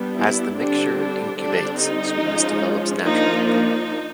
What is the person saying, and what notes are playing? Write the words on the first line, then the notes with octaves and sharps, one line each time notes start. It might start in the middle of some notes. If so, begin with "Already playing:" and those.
As the mixture incubates, sweetness develops naturally.
Already playing: G3 B3 D4
E4
D3 G3 C4 D4
D4
D3 G3 C4 D4
D#4
F3 G#3 C#4
F3 A#3 D4 D#4
D#4